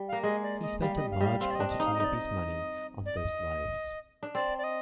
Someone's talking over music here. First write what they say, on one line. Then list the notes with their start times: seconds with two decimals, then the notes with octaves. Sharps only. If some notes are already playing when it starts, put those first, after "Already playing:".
He spent a large quantity of his money on those lives.
Already playing: G3
0.08 A#3 F5
0.23 G#3 D#5
0.43 D5
0.62 D#5
0.82 G3 F5
0.96 D#5
1.11 F5
1.20 G3 D#5
1.26 F5
1.41 C4 F5
1.51 D5
1.55 D4 D#5
1.69 D#5
1.80 D#4
1.85 F5
1.94 D#5
2.00 D#4 D5
2.15 D#5
3.06 D5
3.17 D#5
4.23 D4
4.34 C4 D5
4.58 D5
4.64 D#5